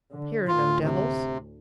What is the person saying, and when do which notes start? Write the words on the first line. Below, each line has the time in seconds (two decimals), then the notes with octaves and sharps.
Here are no devils.
0.13 D3
0.48 D2 A2 F4
0.83 C3